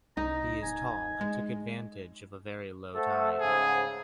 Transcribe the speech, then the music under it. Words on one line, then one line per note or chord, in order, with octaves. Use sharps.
He is tall and took advantage of a very low tide.
C2 D#4 A#5
D1 G#5
G#3
A3 A4 C5 F#5 A5
G#2 C#3 G#4